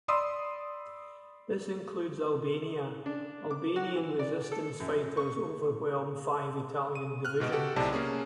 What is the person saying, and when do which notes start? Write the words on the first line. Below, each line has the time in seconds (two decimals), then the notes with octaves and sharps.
This includes Albania; Albanian resistance fighters overwhelm five Italian divisions.
0.08 D5 B5 C6 D#6 E6
3.06 D4
3.51 D6
3.76 F#4
3.96 E3
4.19 D5
4.52 A4
4.80 F#2
5.17 C#6
6.95 D#7
7.25 F6 F#6
7.40 G#2 B2 D#5 D7
7.52 F#4 G4 A4 F#5
7.76 B1 A2 C3 D5 A5
7.93 A#3 C#4 G#4